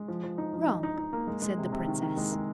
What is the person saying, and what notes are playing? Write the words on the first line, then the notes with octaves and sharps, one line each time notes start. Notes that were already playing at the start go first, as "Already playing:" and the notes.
'Wrong,' said the Princess.
Already playing: G#3
F3
F3
D#4
F3
D#4
D#4
D#4
A#3
G#3
G#3
C3
C3
D#3
D#3
G#3
G#3